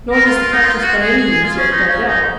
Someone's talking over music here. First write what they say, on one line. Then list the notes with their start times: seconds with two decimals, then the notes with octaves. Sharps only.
Nor has the practice by any means yet died out.
0.11 A#4
0.25 F4
0.38 F4
0.52 D#4
0.64 F4
0.82 F#4
1.00 G#4
1.17 G#4
1.30 G#4
1.44 F4
1.58 C#4
1.71 D#4
1.89 C#4
2.07 D#4